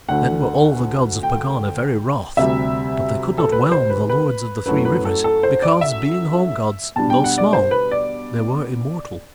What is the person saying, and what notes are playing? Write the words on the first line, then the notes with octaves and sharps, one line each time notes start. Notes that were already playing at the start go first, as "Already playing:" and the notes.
Then were all the gods of Pegana very wroth; but They could not whelm the lords of the three rivers, because being home gods, though small, they were immortal.
D2 D3 A3 F#5
G5
D2 C3 G3 E5
A4
B4
C5
B4
B4
F#2 F#3 A3 E4 B4
B4
A4
A4
C5
D5
E5
B2 G3 D4 A5
G5
F#5
D5
C5
B4
D5